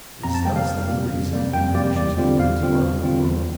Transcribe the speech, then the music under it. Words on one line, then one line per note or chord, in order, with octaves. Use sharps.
It is thus that we reason in relation to the brutes of our own world.
F2 A#5
A5
C3 G3 A#3 G5
F5
F2
C3 G3 A#3
F2
C3 G3 A#3
F2 G5
C3 G3 A#3 D5
E2 D5
D3 G3 C4 F4
E2 F5
D3 G3 C4 F4
E2
D3 G3 C4 F4
E2